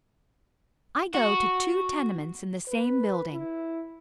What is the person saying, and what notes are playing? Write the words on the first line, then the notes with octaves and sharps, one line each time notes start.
I go to two tenements in the same building.
F#4
B4
E4